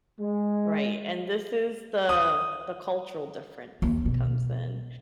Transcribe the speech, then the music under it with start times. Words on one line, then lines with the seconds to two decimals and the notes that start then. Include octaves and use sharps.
Right, and this is the the cultural difference comes in
0.20 G#3
2.09 D#6
3.82 D#2
4.05 B2